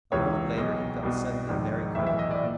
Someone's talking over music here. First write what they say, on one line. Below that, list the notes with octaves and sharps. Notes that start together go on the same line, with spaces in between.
A moment later he felt suddenly very cold.
C#2 C3 E3 C#5
B1 B2 D#5
C2 B2
A#1 G#2 D#3
B1 A2 E3 E5
E5
D#5
D5
A#2